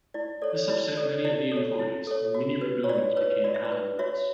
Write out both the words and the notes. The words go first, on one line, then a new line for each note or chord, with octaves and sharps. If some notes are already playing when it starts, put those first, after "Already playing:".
This upset many of the employees, and mini-rebellions became commonplace.
E4 D5
A4 C#5 D5
C#5
E4 D5
A4 C#5 D5
E4 D5
A4 C#5
E4
A4 C#5
F#4
B4
C#5
F#4 D5
B4 C#5
F#4 D5
E5
D5
B4
F#4 C#5 E5